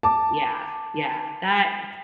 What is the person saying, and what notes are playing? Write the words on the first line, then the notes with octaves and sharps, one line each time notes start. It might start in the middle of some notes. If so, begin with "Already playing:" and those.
Yeah, yeah, that
A5 D6